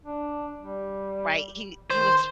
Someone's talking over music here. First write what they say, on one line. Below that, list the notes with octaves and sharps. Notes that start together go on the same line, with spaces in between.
right? He he was
D4
G3
D#3 C5